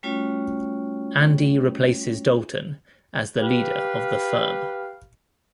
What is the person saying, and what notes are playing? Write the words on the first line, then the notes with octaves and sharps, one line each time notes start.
Andy replaces Dalton as the leader of The Firm.
G3 A3 C#4 F4 F#4 C#5
G4 B4 F5